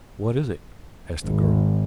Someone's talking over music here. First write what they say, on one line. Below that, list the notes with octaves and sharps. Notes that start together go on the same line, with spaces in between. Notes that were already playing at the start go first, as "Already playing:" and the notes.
"What is it?" asked the girl.
G#1